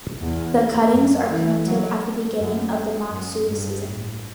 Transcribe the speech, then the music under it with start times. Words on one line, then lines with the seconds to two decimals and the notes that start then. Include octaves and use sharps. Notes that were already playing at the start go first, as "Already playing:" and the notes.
The cuttings are planted at the beginning of the monsoon season.
0.21 E2
0.93 F#2
1.30 E3
1.66 F#3
2.39 F#2
3.12 F#2
3.48 G2
3.84 A2